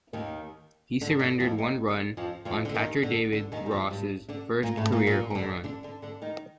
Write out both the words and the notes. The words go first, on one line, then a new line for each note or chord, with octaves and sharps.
He surrendered one run on catcher David Ross's first career home run.
D#2 D#3
D3
D3
F2 F3
D#2 D#3
D3
F2 F3
F2 F3
D3
D#2 D#3
D3
D3
D#2 D#3
G3
F2 F3
G2 G3
D3 D4
A#2 A#3
A2 A3
A#2 A#3
A#2 A#3
C4
D3 D4
D3 D4
D3 D4
D3 D4
D#3 D#4